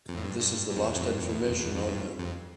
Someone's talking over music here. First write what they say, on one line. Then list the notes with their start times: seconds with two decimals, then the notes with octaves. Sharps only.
This is the last information on him.
0.09 F2
0.17 A2
0.25 G2
0.40 G2
0.70 G2
0.77 F2
0.84 E2
0.95 F2
1.06 G2
1.18 F2
1.29 E2
1.44 F2
1.59 E2
1.74 F2
1.89 G2
2.19 F2